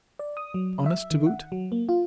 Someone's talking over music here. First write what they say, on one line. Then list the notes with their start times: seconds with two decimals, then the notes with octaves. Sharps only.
Honest, to boot.
0.19 D5
0.37 D#6
0.54 F#3
0.86 E5
1.11 D#3
1.27 F#5
1.52 F#3
1.72 A#3
1.89 F4